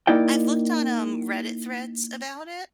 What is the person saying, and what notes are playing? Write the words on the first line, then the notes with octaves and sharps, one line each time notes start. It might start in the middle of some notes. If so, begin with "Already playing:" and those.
I've looked on, um, Reddit threads about it,
A#3 D#4 E4 D5 G5